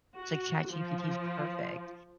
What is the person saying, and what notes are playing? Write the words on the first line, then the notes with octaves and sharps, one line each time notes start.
it's like ChatGPT is perfect.
F#4
F3